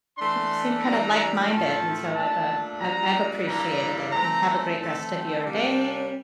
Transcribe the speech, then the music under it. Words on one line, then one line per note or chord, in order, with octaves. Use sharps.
It seemed kinda like-minded and so I've, uh, I've I've appreciated it and have a great rest of your day
E3 A3 D4 C6
E3 G3 D4 A#5
A2 F3 A3 C4 A5
A#2 A3 D4 A5
A#2 G3 D4 A#5
G2 E3 G3 A#3 D4 A#5
E3 A3 C4 A#5
E3 A3 C4 A5
G5
C3 G3 A#3 D4